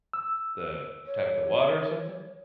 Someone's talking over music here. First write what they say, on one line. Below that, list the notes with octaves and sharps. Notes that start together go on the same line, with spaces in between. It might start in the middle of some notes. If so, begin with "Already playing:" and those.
the type of the water or something.
E6
C#5